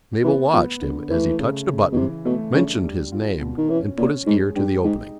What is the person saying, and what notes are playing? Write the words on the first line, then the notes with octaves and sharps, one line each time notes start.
Mabel watched him as he touched a button--mentioned his name, and put his ear to the opening.
E3 B3
F3 B3
D3
E3 A3
C#3
C#3
B2
C3 E3
B2 A3
C#3 D4
G3
F4
B2
D#3
E3 C#4
A#2 C#4
G#2 G#3
G2 G4
G#2 D#4